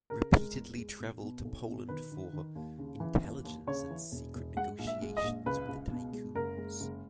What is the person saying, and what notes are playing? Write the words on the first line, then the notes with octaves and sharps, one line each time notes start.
Repeatedly traveled to Poland "for intelligence and secret negotiations with the tycoons".
C#3 A#4
G#3
E2
G#3
B1
B2
B1
B2
D#3 B4
D#3
D#3
D#2
C#3
E3
D#2
D#2
C#3 C#5
E3
E1
E1
G#3 F#5
A#1
E5
G#3
D#5
A#1
C#2 B4
C#2
B2
G#3
F#1 A#4
G#3
F#1